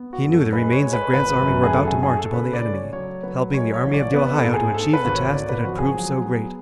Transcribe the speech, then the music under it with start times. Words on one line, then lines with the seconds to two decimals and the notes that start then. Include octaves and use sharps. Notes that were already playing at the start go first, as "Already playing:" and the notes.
He knew the remains of Grant's army were about to march upon the enemy, helping the Army of the Ohio to achieve the task that had proved so great.
Already playing: B3
0.13 F#4
0.23 F#2
0.32 A4
0.52 G#3 B4
0.72 C#5
0.83 G#3
0.93 B4
1.13 G#1 B4
1.42 F#2
1.63 G#4
1.73 A3 A4
1.88 G#4
2.03 A3 G#4
2.18 A4
2.33 C#3 B4
2.53 D5
2.64 A3
2.73 C#5
2.93 F#3 C#5
3.23 F#3 B4
3.53 G#3 C#5
3.74 C#5
3.83 A1
3.94 D5
4.14 B3 B4
4.34 A4
4.44 G#2
4.54 G#4
4.73 A3 A4
4.93 B4
5.04 G#1
5.14 C#5
5.34 G#1 D5
5.49 B4
5.64 F3 F#4
5.79 G#4
5.94 F#3
6.25 B3